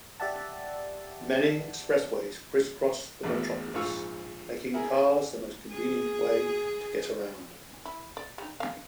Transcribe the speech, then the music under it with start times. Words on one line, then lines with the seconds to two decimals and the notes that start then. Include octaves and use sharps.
Many expressways criss-cross the metropolis making cars the most convenient way to get around.
0.20 G4 D5 E5 F#5 A5
3.23 G#1 E2 B2 A3 E4
3.74 A#1 G#2 F3 F5 C#6 E6
4.74 E4 G#4 A#4
5.73 G#4
7.85 E4
8.17 D5
8.38 G3 D#4
8.60 A#3 F5